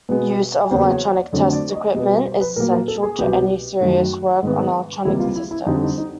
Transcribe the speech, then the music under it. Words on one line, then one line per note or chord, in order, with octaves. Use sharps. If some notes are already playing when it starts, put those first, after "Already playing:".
Use of electronic test equipment is essential to any serious work on electronics systems.
B2 G#3 B3 B4
E2 C#3 F#3 A#3 C5
C#5
D5
F2 D3 F#3 A3 C#5
D5
D#5
B2 G3 B3 D#5
C5
B4
A#2 F#3 A#3 A#4
A#4
A4
G#4
C2 B2 F#3 B3 G4
F#2 D#3 F#3 A3 F#4
G#2 D#3 G#3 B3
C#2 C3 E3 G3 A#3 E4
F4
E4
E4
F2 D3 G3 D#4
D#4
D#4